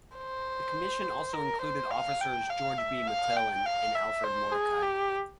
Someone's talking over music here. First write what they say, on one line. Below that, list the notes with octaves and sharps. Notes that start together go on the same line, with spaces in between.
The commission also included officers George B. McClellan and Alfred Mordecai.
C5
A#4
C5
F5
G5
F5
E5
F5
G5
F5
E5
C5
G#4
G4